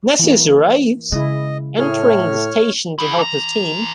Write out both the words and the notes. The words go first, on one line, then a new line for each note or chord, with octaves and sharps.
Nessus arrives, entering the station to help his team.
E3 A#3
C#3 G#3 E4 D#5
A2 G#4 C#5 F6
E4 G#4
E3 A#5